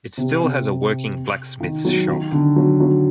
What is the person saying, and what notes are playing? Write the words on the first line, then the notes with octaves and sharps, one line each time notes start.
It still has a working blacksmith's shop.
C3
C3
D#3
F#3
D#3
D3
F#3
F#3